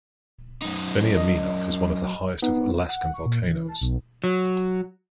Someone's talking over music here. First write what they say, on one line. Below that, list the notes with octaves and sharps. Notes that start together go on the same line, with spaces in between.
Veniaminof is one of the highest of Alaskan volcanoes.
F#2 D#4
D#5
B3 D#4
F#5
C#6
A#2
E3
A5
B1
F#3